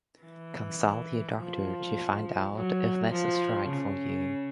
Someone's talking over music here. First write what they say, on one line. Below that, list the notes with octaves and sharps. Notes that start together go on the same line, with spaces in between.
Consult your doctor to find out if this is right for you.
E3
F3
F#3
F3
C#3